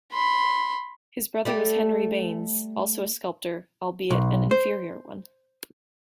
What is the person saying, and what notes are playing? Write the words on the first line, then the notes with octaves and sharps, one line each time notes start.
His brother was Henry Behnes, also a sculptor, albeit an inferior one.
B5 C6
G3 A3 G4
B1
C5